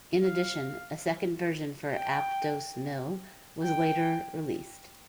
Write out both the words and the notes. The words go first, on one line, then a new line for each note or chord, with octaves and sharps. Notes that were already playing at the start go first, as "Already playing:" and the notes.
In addition, a second version for "Ape Dos Mil" was later released.
F5
G5
G5